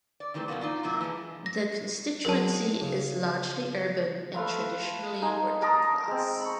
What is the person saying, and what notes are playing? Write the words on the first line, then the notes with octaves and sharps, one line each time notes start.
The constituency is largely urban and traditionally working-class.
D5
D#3 E3 G3 A3 C4
G2 B2 F#3 A#3 B3
D#4 F4 D5
F#2 C3 F#3 A#3 E4
E3 F3 G3 G#3
A#6
F#3 G#3 A#4 A5
C#3
A3 B4 F5 C6
D#4 G#5 C6
A#4 A5 C6 D#6
G#3 C4
B5 C#6